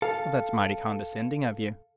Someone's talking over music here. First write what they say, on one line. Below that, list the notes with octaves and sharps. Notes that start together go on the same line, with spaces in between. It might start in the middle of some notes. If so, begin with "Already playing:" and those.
"That's mighty condescending of you!"
A4 F5